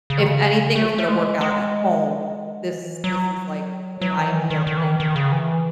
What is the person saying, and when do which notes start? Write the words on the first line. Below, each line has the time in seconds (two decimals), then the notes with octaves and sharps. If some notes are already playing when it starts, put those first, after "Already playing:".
if anything was gonna work out at home, this this is, like, the ideal thing for it to be.
0.10 C#3
0.18 D#3
0.27 C#3
0.75 A3
0.98 A3
1.08 G#3
1.41 G#3
2.71 E3
3.04 F#3
4.01 F#3
4.18 E3
4.34 D#3
4.50 D#3
4.67 D#3
4.77 E3
4.83 D#3
5.00 D#3
5.16 C#3
5.32 E3